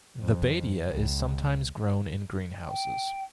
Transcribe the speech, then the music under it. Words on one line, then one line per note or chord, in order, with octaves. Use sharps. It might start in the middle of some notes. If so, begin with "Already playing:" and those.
The badea is sometimes grown in greenhouses.
F2
C#2
G5